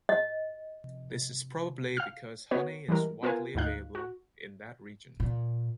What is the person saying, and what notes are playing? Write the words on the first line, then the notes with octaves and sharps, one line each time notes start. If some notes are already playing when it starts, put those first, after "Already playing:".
This is probably because honey is widely available in that region.
D#5
F5 F6
B3 F#4 B4 C#5
E3 G3 G#3 A#4
B3 F4 A#4 B4 G#5
D2 G#2 D#4 F5 F#6
F#4
A#2